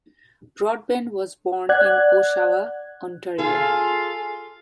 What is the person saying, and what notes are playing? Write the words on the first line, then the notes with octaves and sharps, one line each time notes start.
Broadbent was born in Oshawa, Ontario.
D5 F#5 F#6 G#6
F4 G#4 A4